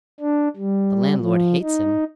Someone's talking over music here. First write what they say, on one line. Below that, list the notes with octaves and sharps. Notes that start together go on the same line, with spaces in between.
The landlord hates him.
D4
G3
F3
D#4